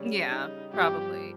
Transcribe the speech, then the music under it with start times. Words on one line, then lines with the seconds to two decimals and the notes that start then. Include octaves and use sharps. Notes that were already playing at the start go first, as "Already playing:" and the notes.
Yeah. Probably.
Already playing: C#3 G3 C#4
0.30 D#4
0.73 G2 F3 C4 F4 G4